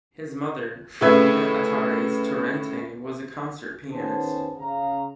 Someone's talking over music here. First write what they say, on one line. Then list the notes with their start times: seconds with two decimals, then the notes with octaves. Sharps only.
His mother, Fermina Atares Torrente, was a concert pianist.
1.01 A2 C#3 C#4 B4 E5 G#6
3.91 D#3 B3 C#4 G#4 C5 A5
4.59 C#3 F5 A#5